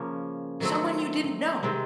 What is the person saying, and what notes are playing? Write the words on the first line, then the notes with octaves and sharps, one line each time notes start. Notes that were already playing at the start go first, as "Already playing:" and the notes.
Someone you didn't know?
Already playing: C#3 F3 A#3 C#4
D#3 F#3 A3 C4
C3 D#3 G#3 C4